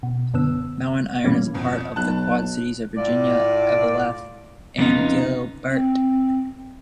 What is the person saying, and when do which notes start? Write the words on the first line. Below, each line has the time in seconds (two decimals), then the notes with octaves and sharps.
Mountain Iron is part of the Quad Cities of Virginia, Eveleth, and Gilbert.
0.03 B2
0.34 F#2 D3 B3 E6
1.24 A#2 E3 G3 A#3 C#4
1.54 F2 B2
1.96 B1 A5 F#6
2.97 A2 F4 D5
4.78 F2 C#3 B3 D#4 F4
5.70 C4